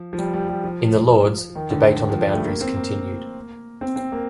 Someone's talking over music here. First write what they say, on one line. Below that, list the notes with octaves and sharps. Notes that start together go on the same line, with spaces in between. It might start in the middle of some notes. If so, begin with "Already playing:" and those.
In the Lords, debate on the boundaries continued.
Already playing: F3
F3
G3
G3
G3
F3
D#3
D3
D#3
F3
G3
A3
A#3
C4
A#3
C4
C4
A#3